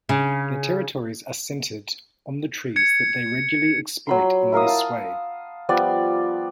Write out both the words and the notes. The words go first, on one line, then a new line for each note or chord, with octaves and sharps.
Their territories are centered on the trees that they regularly exploit in this way.
C#3
G#6 C#7
F#3 B5 C6
E4 A#4 F5 D#6
F5 A5
F3 G3 B3 D5